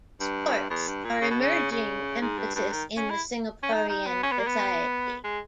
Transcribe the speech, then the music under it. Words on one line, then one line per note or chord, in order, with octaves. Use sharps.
Sports are an emerging emphasis in the Singaporean society.
G2
E2
G2
A#2
C#3
B2
C#3
C#3
G#2
G2
G2
D#3
C#4
E4
C#4
D#4
D#4
B3
C#4
B3
A#3
B3
G#3